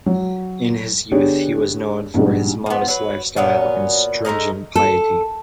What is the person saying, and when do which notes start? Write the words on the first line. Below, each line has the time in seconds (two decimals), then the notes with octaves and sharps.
In his youth he was known for his modest lifestyle and stringent piety.
0.06 F#3
1.12 D3 B3 D4 G4 G#4 C#5
2.14 A#1 G#2 B2 G3
2.66 F3 B3
2.88 F#3 B4
3.36 A#2 F#3 B3 C#4
4.25 G#3 A3 A#4 D#5
4.76 A4